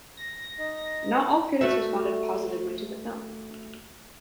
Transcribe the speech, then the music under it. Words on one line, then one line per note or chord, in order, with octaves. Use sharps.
Not all critics responded positively to the film.
A#6
D#4 D#5
A3 F#4 E5